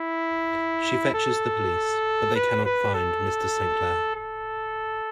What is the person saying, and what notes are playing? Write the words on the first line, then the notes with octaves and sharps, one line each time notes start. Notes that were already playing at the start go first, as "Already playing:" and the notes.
She fetches the police, but they cannot find Mr. Saint Clair.
Already playing: E4
A4
B4
B4
A4
A4